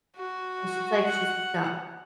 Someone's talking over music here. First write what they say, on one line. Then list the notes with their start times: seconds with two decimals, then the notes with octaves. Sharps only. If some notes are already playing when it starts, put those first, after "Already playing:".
It's just like she's stuck.
0.17 F#4
1.03 F#5